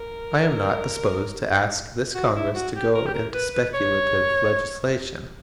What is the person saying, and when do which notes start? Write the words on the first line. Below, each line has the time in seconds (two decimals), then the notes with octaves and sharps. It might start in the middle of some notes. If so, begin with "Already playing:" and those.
I am not disposed to ask this Congress to go into speculative legislation.
Already playing: A#4
2.15 F#4
2.36 E4
2.55 F#4
2.75 G4
2.95 A#4
3.06 G4
3.14 A#4
3.34 B4
3.54 B4
3.74 C#5